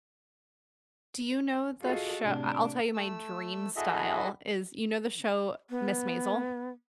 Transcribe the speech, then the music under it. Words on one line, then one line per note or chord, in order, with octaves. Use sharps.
Do you know the sho I I'll tell you my dream style is, you know the show "Miss Maisel"?
F4 F#4 G#4 A4 D#5
A2 C3 D4
A3 E6
E4 F#4 G#4 A4 D#5 E5
B3